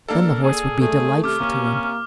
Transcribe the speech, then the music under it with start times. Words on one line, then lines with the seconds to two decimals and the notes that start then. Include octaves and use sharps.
Then the horse would be delightful to him.
0.08 A#3 D4 A4 A#4
0.43 G#4
0.81 A3 G#4
1.24 C3 D6 F6
1.39 A#3 C#4